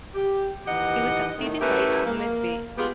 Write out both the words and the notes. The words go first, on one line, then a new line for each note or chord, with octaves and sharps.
He was succeeded by Ahmed Bey.
G4
D#2 E3 D#4 G4 D#5 F#5
A2 D#3
A3 C#4 E4 G4 A#4 B4
A#3
G#3 B3 F4 G4 G#4